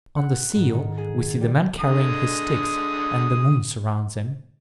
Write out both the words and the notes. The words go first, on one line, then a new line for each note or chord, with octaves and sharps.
On the seal we see the man carrying his sticks, and the moon surrounds him.
F#5
G#2
D#3
G#4
A6
G3
D3 G#3 D#6